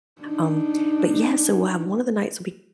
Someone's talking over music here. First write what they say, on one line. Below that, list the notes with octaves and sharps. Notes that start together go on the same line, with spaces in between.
Um, but yeah, so we'll have one of the nights will be
D4 D#4